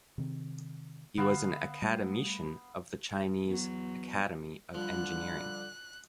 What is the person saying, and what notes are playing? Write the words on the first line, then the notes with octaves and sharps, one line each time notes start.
He was an academician of the Chinese Academy of Engineering.
C3 D#3 C4
D3 B3 F5 E6
G3 A3
E2 F#3
D3 F3 G3 F#6